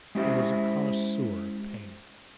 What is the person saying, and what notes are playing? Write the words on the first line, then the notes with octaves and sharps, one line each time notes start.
He was a connoisseur of painting.
G#3 C#4 E4 G4 C5 E5